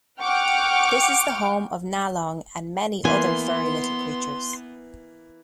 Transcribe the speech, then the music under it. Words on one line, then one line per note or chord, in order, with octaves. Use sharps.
This is the home of Nalong and many other furry little creatures.
F#5 G5 C#6 D6 F6
E3 A#3 B3 G#5 C6